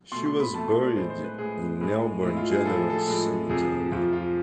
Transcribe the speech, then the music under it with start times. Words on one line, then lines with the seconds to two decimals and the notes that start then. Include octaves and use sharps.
She was buried in Melbourne General Cemetery.
0.12 B2 A3 C6
0.26 C6
0.40 B5
0.54 B2 A3 A5
0.68 C6
0.82 D5
0.96 A2 G#3 C5
1.10 C5
1.24 B4
1.38 A2 G#3 G#4
1.81 A2 G#3
2.23 A2 G#3 E4
2.37 F4
2.51 G#4
2.65 A2 F3 G#3 A4
2.77 G#4
2.90 A4
3.07 A2 F3 G#3
3.50 F2 C3 F3 G#4
3.92 F2 C3 F3 F4
4.13 F4